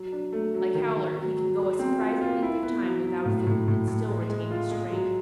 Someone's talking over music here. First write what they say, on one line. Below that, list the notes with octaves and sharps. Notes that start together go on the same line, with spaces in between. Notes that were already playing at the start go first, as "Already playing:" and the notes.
Like Howler he can go a surprising length of time without food and still retain his strength.
Already playing: F#3
D4
A3
F#3
D#3
D#3
F#3
F#3
G#3
C4
F4
F4
E4
B3
F#3
F#3
A2
A2
A2
A2
G#3
G#3
F4
G#3
F#3